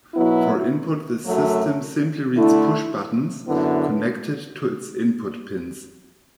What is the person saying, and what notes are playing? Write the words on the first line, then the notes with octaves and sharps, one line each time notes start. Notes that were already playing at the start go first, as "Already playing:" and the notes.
For input, the system simply reads pushbuttons connected to its input pins.
B2 F#3 B3 E4
F#2 F#3 A3
D3 A3 E4
F#2 D3 B3 E4